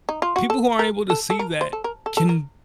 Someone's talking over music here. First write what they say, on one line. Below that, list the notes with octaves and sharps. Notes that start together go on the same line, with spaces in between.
people who aren't able to see that can
D#4
F4
F#4
A4
A#4
A4
A4
A#4
C5
A4
A#4
A4
A4
A#4